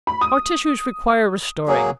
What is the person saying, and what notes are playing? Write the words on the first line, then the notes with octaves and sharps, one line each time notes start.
Our tissues require restoring.
B5
D#6
F#3 A#3 G#4